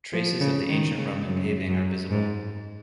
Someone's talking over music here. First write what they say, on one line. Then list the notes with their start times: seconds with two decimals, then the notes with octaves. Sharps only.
Traces of the ancient Roman paving are visible.
0.12 F3
0.40 C#3
0.68 D#3
0.97 C#3
1.24 F#2
1.67 F#2
2.10 G#2